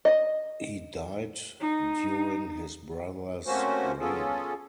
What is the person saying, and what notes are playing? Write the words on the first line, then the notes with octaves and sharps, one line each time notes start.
He died during his brother's reign.
D#5
D#4
C3 A3 A#3 C#4 F#4 C5
B3 C#4 F4 G#4 A4